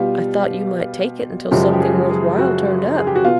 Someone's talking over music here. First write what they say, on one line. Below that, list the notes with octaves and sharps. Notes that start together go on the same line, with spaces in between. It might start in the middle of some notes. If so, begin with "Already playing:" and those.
"I thought you might take it until something worth while turned up."
Already playing: B2 G3 F4
F#2 C#3 F3 G#3 G4
G4
G#4
G#4
F#4
G#4
G4
F#4
B2 F4